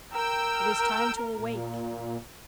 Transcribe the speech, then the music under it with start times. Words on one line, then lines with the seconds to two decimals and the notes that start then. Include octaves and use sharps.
It is time to awake.
0.11 A#4 G5 E6
1.34 A#2